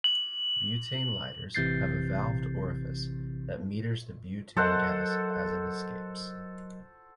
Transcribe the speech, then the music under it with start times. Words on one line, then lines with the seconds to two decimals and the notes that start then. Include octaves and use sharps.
Butane lighters have a valved orifice that meters the butane gas as it escapes.
0.04 F#7
1.55 A1 C3 E3 G6 A6 C7
4.57 F#3 A4 A#4 C5 D#5 F#5